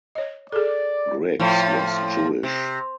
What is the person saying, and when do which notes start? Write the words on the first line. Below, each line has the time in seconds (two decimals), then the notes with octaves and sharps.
Griggs was Jewish.
0.15 C#5 D#5
0.52 G#4 A4 D5
1.40 A2 F3
2.43 C3